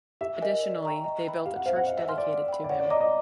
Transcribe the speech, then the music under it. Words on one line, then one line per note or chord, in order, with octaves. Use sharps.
Additionally they built a church dedicated to him.
G4 E5
A#4 D#5 G#5
D5
G5 A#5 C#6
D#5
G5 B5
G4 F5
F#5
C5 E5 F5
F#5
D#5 F5
E5
G#5 C6 F6
D5
E5
G5 B5
D5
C#5 F#5
D5
D#5 A#5 D6
D#5